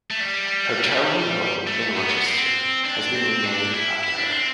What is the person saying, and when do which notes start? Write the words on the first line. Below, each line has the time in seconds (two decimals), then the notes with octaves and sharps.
Her childhood home in Rochester has been renamed after her.
0.10 A3
0.20 G3
1.67 A3
1.96 B3
2.26 C4
2.85 D4
3.15 C4
3.44 D4
3.74 E4
4.03 E4
4.18 D4
4.32 C4